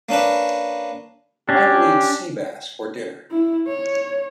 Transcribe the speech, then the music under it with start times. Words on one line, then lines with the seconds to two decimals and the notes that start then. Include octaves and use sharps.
I will eat sea bass for dinner.
0.09 A#3 C#4 D4 B4
1.49 C#4 D4 G4
3.31 E4
3.67 C#5